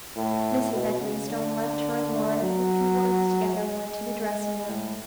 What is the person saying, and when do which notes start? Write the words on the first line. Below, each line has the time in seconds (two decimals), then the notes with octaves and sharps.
Mrs. Edmonstone left her and Laura to have a few words together, and went to the dressing-room.
0.17 A2
0.73 B2
1.01 C#3
1.29 D3
2.41 F#3
3.55 G#3
4.67 A2